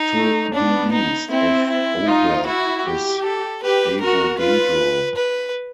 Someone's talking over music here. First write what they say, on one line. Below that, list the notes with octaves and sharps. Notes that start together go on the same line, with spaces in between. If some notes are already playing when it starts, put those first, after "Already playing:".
To the east of Oberth is Avogadro.
Already playing: D#4
A3
B3 D4
D#4
C4 E4
E4
D#4 F4
E4 F#4
G4
A4
G4 B4
F#4 A#4
F4 B4
B4